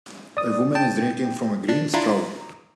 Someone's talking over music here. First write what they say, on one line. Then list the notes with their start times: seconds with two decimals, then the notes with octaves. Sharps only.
A woman is drinking from a green straw.
0.37 D5 D#6
0.75 G5 A5
1.69 D4
1.94 D4 E4 F4 A#5